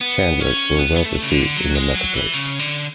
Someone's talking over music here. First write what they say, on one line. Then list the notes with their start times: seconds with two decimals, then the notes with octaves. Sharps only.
Chandlers were well received in the marketplace.
0.01 B3
0.40 C#4
0.79 B3
0.96 B3
1.05 A3
1.22 C#3
1.31 D3
1.57 F#3
1.75 G#3
1.94 F#3
2.14 E3
2.34 C#3
2.59 D3